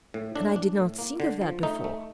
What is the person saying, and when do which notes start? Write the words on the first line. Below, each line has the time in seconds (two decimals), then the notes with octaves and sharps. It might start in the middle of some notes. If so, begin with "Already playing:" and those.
And I did not think of that before!
0.14 A2
0.35 A2 D4
0.56 D4
0.78 A2
0.99 A#3
1.20 D3
1.41 F3
1.63 A3 D#4
1.84 A3